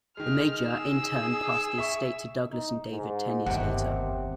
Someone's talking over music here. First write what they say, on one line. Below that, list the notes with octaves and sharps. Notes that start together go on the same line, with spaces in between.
The Major in turn passed the estate to Douglas and David ten years later.
D#3 G#3 F6
G#4 E6
E5 C#6
D#4
G#2
G1 D#2 C3 F#5